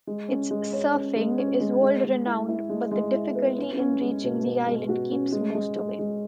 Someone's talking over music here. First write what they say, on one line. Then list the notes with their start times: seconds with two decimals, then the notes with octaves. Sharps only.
Its surfing is world-renowned, but the difficulty in reaching the island keeps most away.
0.07 G#3
0.28 C#4
0.51 G#3
0.73 C#5
0.95 C#4
1.16 G#3
1.38 C#4
1.60 G#3
1.82 G#3
2.04 G#3
2.26 E4
2.49 E4
2.69 G#3
2.91 G#3
3.14 E4
3.35 B3
3.58 C#4
3.79 C#4
4.01 G#3
4.24 B2
4.46 B2
4.67 G#3
4.89 F#4
5.11 C#4
5.32 G#3
5.55 G#3
5.76 G#3
5.99 G#3